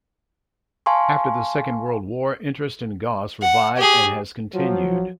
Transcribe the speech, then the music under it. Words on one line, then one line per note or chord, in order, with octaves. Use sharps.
After the Second World War interest in Goss revived and has continued.
F5 G#5 A5 C6 C#6
F#5
G4 G#4
F3 F#3